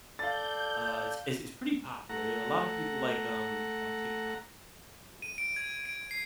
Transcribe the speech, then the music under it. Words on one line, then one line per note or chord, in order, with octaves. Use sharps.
uh, it's it's it's pretty popular a lotta people, like, um, on TikTok have been making videos about this one,
A4 D5 F5 G6 A6
A3 F#5 A#5
D#7
D7
G#6
D7
C7